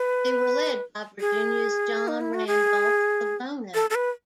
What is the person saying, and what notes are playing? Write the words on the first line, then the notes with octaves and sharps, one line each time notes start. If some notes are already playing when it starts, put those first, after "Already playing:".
They were led by Virginia's John Randolph of Roanoke.
Already playing: B4
G#4
D#4
E4
F#4
G#4
A4
A4
B4